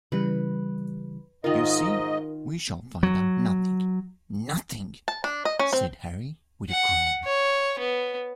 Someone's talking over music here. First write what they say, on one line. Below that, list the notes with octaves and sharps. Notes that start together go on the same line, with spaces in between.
"You see, we shall find out nothing — nothing," said Harry, with a groan.
C#3 E3 G3 B4
G#2 D#3 F4 A#4 D#5
F#3
A5
D4
D#5
C#4
C4
F#5
C#5
B3